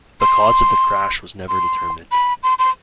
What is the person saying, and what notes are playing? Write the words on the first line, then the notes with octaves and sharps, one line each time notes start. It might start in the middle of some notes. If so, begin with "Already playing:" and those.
The cause of the crash was never determined.
C6
C6
B5
C6
C6